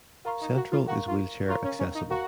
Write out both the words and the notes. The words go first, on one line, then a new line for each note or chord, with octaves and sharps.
Central is wheelchair accessible.
F4 A#4 F5 A#5 C#6
D#4
F#4
F4
F#4 A#4 F5 A#5 C#6
F4
F4 A#4 F5 A#5 C#6
C#4
C#4
D#4
F#4 A#4 F5 A#5 C#6